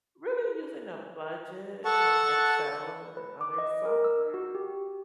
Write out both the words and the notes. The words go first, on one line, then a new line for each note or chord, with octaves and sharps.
really using a budget from Excel or other software,
A4 F#5 A5 C#6
B4
D6
D#5
A#4
E6
F#4
G4